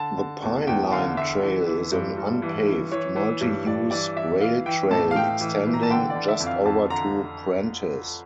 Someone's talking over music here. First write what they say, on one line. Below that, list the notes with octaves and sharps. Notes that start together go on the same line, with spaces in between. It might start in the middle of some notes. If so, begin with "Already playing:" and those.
The Pine Line Trail is an unpaved, multi-use rail-trail extending just over to Prentice.
Already playing: D3 A5
D3
E2
E2 G5
D3 F5
D3 E5
E3
E3
G2
G2
E3
E3
E3 C#5
E3
G2
G2 D5
E3 D5
E3 E5
E3 F5
E3 G5
A2 A5
F5
A2 G5
E3
E3
A#5
A5
D3 G5
D5
D3
E5
F2
F5
F2 A5
D3 A#5